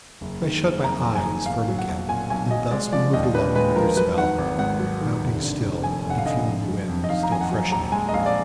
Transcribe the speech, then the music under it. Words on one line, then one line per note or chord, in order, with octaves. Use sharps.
I shut my eyes firm again, and thus we moved along another spell, mounting still and feeling the wind still freshening.
F#1
D#3
F#1
F2 A#5
F#1
G#5
D#3
B1 F5
F#3
F#5
B1
A#2 G#5
B1 G#5
F#3 D#5
G#3 D5
F3 D5
D#2 D#5
D3 B4
G#3 B4
F3 A#4
F#3 B4
D#3 F#5
G#1
G#2 F#5
F#3
D#3
F1
D3
F1
F2 G#5
F1
F#5
F5
D3 D#5
F2
F#3
F2
D#5
D#3 F5
A#5
F2 G#5
F#5
F#3
A#1 A#5
G#3 G#5
D#5
A#1 F5
D5